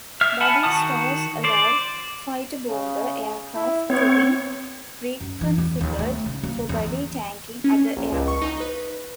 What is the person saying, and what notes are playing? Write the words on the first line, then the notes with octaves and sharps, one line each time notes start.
Buddy stores allow fighterbomber aircraft to be reconfigured for "buddy tanking" other aircraft.
E5 F6
E5 F#5 G#5 A5 B5
D#3 F#4 A5 D#6
C5 D5
C#3
E4
B3 C4 C#5
F#2
E3
E2
D#2
A3
C#3
A#3
E2
E3
C#4
A#1
C#2
C#6
D#4
B4